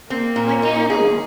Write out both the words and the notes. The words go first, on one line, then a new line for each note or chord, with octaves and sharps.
Like animals!
A#3 C4
A#2
D#4
G#4